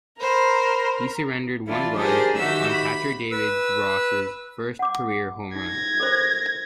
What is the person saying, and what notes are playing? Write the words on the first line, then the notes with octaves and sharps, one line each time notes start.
He surrendered one run on catcher David Ross's first career home run.
A#4 C5 B5
E3 D4 E4 F4
D4 G4 G#4 A#4 C5
D#3 F#4 G4 E5 E6
B5
B4 E6
F#5 D6
D#4 G#6 A#6
A4 A#4 C5